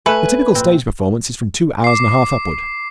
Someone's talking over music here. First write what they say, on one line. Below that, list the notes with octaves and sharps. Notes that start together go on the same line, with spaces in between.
The typical stage performance is from two hours and a half upward.
A3 B4 G#5 F#6
A#1 C4
D6 C7